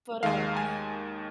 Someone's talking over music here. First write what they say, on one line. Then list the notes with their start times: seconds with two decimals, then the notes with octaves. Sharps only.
but, uh, I
0.23 D#2 D#3 G#3 F5
0.57 G#5